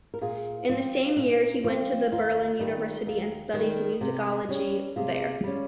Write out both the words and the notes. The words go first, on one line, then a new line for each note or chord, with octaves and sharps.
In the same year he went to the Berlin University and studied musicology there.
A#4
A#2 F4 G#4
F3 C4 F4
A#2 D#4
F3 C4 F4
D#2 F4
D#3 G3
D#2
D#3 G3
C3
G3 C#4
C3 F4 G#4
G3 C#4